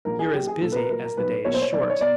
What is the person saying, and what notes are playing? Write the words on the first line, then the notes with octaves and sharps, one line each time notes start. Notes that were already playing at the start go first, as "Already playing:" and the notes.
"You're as busy as the day is short!"
A#1 A#4
G#4
A#2 F#3 G4
G#4
A#1 A4
B4
A#4
B4
A#2 F#3 A#4
A#4
B1 B4
B2 F#3 A#3 C#5
C5
C#5
B1 D5
C#5
B2 D5